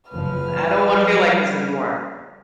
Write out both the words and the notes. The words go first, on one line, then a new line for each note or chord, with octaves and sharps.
I don't wanna feel like this anymore."
F#1 F3 B4 F6
F3 G3